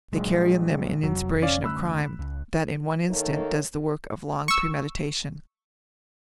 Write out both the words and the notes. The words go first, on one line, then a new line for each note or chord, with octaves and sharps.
They carry in them an inspiration of crime, that in one instant does the work of long premeditation.
A#1 F#3 G#3
F1 F#3
C#4 D5 F5
D3 A3 C#4 B5 E6 F#6
C#2
D#3 A3 A#3 D#4 A4 C#5
C#6 E6